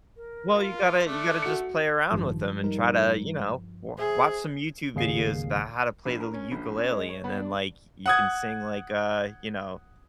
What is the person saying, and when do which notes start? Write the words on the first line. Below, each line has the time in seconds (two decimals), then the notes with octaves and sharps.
Well, you gotta you gotta just play around with 'em and try to, you know, w watch some YouTube videos about how to play the l ukulele, and then, like, you can sing like, uh, you know,
0.17 A#4
0.55 F4
1.06 A3 D4
1.42 F#4 A4 C#7
2.11 A1 G2 D#3 F3
2.62 G3 D#4 A#4
3.98 G#4 C5 E5 G#5
4.95 G#1 D#2 C#3 G#4 F5 C7
6.05 A#1
6.20 A#4
6.34 C#4
6.52 A#1
6.77 C#4
6.91 G#3
7.09 C#5
7.24 B3
7.37 D4
8.06 F#5 D#6 G#6